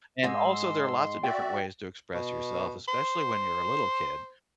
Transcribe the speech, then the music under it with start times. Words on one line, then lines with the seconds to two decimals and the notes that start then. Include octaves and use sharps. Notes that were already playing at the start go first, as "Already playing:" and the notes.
and also there are lots of different ways to express yourself, especially when you're a little kid.
0.23 G#2 G#3 C6 E6
1.23 F#4 D5 E5 G5
2.14 B2
2.88 C5